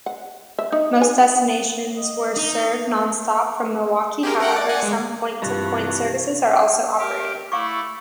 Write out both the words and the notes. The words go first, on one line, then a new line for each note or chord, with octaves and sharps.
Most destinations were served nonstop from Milwaukee; however, some point-to-point services were also operated.
F#5
E5
D#4
G#5
D#5
D#4 D#6
G4 G#4 A#4
A#4 F#5 G5
D5
D5 F#5 G#5
G#3
G2 C3 E3 F4 B4 C#6
G4 A#4 G5
A3 E4 A4 F5 C#6 D6